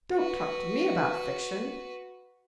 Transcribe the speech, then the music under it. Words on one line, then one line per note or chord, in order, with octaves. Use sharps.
Don't talk to me about fiction!
F#4 B4